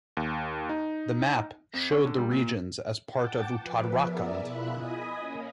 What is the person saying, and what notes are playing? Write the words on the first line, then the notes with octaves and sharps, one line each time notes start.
The map showed the regions as part of Uttarakhand.
D#2
D#4
F2
C#4
D3
G3
A#2
F#5 G5 A5 D6
F3 B4
B3 G#4 A#4 D5 E5
B2 E4 F4 E5 B5 F#6
D#5 G#5 B5 D#6
A#3 C#4